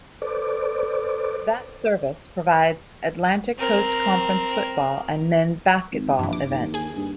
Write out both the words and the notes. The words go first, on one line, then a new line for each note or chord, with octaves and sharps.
That service provides Atlantic Coast Conference football and men's basketball events.
A4 B4 C5 D5 D6
C4 A#4
G#1
A#1 G2 E3
D6
D#2
G#4 G#5
G2